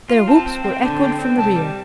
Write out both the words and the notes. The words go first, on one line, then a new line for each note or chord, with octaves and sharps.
Their whoops were echoed from the rear.
F4
C4 A5
C4
C4 G5
D3
C4 G5
C4
C2 A5
G3